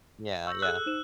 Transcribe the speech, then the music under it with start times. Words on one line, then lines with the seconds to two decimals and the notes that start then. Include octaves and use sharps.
Yeah, yeah.
0.47 C#6 E6 G6 A#6
0.62 G#4 A4 E6 F#6
0.86 D#4 C5 E7